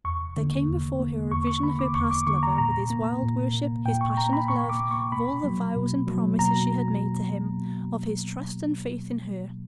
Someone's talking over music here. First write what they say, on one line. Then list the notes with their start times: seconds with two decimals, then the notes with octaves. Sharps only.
There came before her a vision of her past lover, with his wild worship, his passionate love; of all the vows and promises she had made to him; of his trust and faith in her.
0.05 E2 C#6
0.37 D3 A#3
0.68 E2
1.00 D3 A#3
1.31 E2 C#6
1.47 C#6
1.63 D3 A#3 B5
1.79 D6
1.95 E2 C#6
2.11 D6
2.27 D3 A#3 C#6
2.43 A#5
2.58 A#2 A#5
2.90 A#3
3.22 A#2
3.54 A#3
3.85 A#2 G5
4.01 C#6
4.17 A#3 A#5
4.33 B5
4.48 A#2 C#6
4.70 D6
4.80 A#3
4.91 C#6
5.12 B2 B5
5.44 F#3 A#3
5.76 B2
6.07 F#3 A#3
6.39 B2 A#5